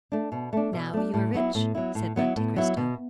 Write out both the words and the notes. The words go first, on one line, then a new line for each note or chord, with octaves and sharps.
"Now you are rich," said Monte Cristo.
A3 D4
B2
A3 D4
B2
A3 D4
A2
F#3 B3 E4
A2
F#3 B3 E4
A2
F#3 B3 E4
A2
F#3 B3 E4
B2